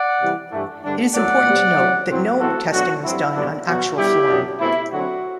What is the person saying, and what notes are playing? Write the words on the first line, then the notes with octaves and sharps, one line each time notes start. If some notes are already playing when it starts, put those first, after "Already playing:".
It is important to note that no testing was done on actual flooring.
Already playing: D5 F#5
C3 E3 G3
G2 E3 A3
G2 D3 G3 D4
A2 F#3 A3 D5 F#5
C3 G3 B3
A2 F#3 A3 C4
A2 F#3 C4
A2 E3 A3 C4 F#4 A4
B2 F#3 A3 D4 F#4
G2 F#3 C4 E4
G2 D3 F#3 B3 D4
B2 F#3 B3 F#4
B2 G3 D4 E4 G4
F#2 F#3 B3 D4
B2 A3 C4 E4
D3 F#3 C4 F#4